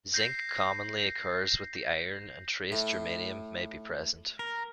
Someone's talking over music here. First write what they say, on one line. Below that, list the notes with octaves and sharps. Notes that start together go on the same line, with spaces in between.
Zinc commonly occurs with the iron and trace germanium may be present.
G6 A#6 C7
A2
A#4